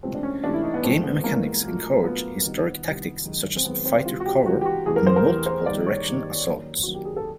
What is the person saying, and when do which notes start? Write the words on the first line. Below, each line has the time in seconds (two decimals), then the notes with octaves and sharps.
Game mechanics encourage historic tactics such as fighter cover and multiple-direction assaults.
0.03 C#2 C3 E3 A3 C4
0.15 D4
0.23 C#4
0.44 C#2 C3 E3 A3 D4
0.54 E4
0.64 D#4
0.74 B3
0.84 G#2 E3 A3 C4
1.04 B3
1.24 G#2 E3 A3 A#3
1.65 A#2 F#3 A3
2.04 A#2 F#3 A3 B3
2.45 C2 C3 D#3
2.85 C2 C3 D#3
3.25 F#2 D#3 G#3
3.57 C4
3.65 F#2 D#3 G#3 B3
3.85 C4
4.05 C#2 C3 E3 F4
4.20 F#4
4.26 G4
4.46 C#2 C3 E3 F#4
4.61 G4
4.65 F#4
4.86 E2 C3 E3 A3 G#4
4.96 A#4
5.07 C5
5.16 A#4
5.26 E2 C3 E3 A3
5.46 C5
5.66 G2 D#3 G3 A#3 D5
5.87 C#5
6.06 G2 D#3 G3 A#3
6.47 F#2 D#3 F#3 A#3
6.83 F#2 D#3 F#3 A#3 F#4
6.94 G4
7.05 G#4
7.16 A4